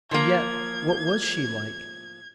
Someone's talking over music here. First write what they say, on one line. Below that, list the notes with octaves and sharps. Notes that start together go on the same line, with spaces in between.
And yet--what was she like?
F3 A#3 G#6